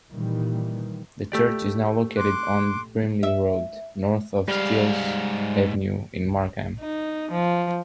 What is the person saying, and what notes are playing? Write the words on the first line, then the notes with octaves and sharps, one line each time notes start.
The church is now located on Brimley Road, north of Steeles Avenue in Markham.
A#2 D#3 E3 G3
A3 G4 D5
C6 D6 F#6
E5
G#2 G3 F5
D#4
F3